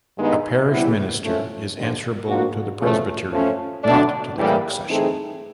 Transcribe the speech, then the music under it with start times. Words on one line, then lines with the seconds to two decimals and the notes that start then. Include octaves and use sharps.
A parish minister is answerable to the Presbytery, not to the Kirk Session.
0.17 G2 D#3 G#3 B3 D#4
0.69 E3 G3 B3 E4
1.22 F3 A3 C#4
1.75 D#2 D3 F3
2.27 F3 A#3 D4 F#4
2.80 E2 C#3 F3 A3
3.32 F3 A3 C#4
3.84 D3 F#3 A3 D4
4.37 A2 E3 G3 A#3
4.89 E3 A3 C4 D#4 G#4